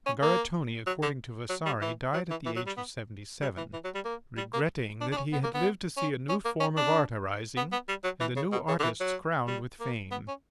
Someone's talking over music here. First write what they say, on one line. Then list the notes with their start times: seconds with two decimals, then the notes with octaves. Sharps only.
Margaritone, according to Vasari, died at the age of seventy-seven, "regretting that he had lived to see a new form of art arising and the new artists crowned with fame."
0.06 C#4
0.22 A#3
0.87 F#3
1.02 D3
1.49 F#3
1.66 G3
1.81 E3
2.14 F#3
2.30 E3
2.46 E3
2.56 F#3
2.67 G3
2.77 B3
3.41 G3
3.57 E3
3.73 E3
3.84 F#3
3.95 G3
4.05 A#3
4.37 G3
4.54 A#3
5.01 D4
5.12 D4
5.17 C#4
5.33 B3
5.43 A#3
5.54 B3
5.97 C#4
6.29 C#4
6.45 A#3
6.60 C#4
6.77 D4
7.56 B3
7.72 B3
7.88 G3
8.04 F#3
8.20 E3
8.36 C#3
8.52 B2
8.68 C#3
8.79 D3
8.83 E3
9.00 F#3
9.47 G3
9.80 A#3
10.11 B3
10.28 C#4